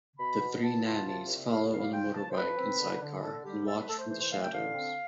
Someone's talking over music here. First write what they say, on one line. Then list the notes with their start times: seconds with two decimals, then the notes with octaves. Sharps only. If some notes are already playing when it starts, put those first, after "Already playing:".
The three nannies follow on a motorbike and sidecar and watch from the shadows.
0.19 B2 B5
0.40 B3
0.63 B3 A5
0.84 F4
1.06 C3
1.27 C2
1.49 C2 F5
1.71 G3 F5
1.93 F4 G5
2.14 F3 A5
2.30 C5
2.36 F3 B4
2.58 C4
2.79 D3
3.01 D3
3.23 D3 A4
3.44 G3 G4
3.66 A3 A4
3.77 B4
3.88 A3 A4
3.98 C5
4.09 E3 C5
4.21 C5
4.31 A3 F5
4.42 G5
4.53 D3 F5
4.74 C4